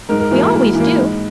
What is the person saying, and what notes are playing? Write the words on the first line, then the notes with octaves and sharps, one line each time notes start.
We always do.
G#2 A#4
A#4
E3 A#3 F#4
E4
G#2 E4
E3
A#3
G#2